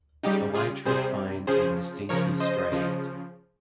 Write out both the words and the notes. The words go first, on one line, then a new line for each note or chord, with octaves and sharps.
Elytra fine and distinctly striate.
C#3 G3 D#4 G4
F4 G#4
C3 G3 G#4 C5
C#3 F3 G#4 C5
C#3 F3 A#4 C#5
C5 D#5
C#3 F3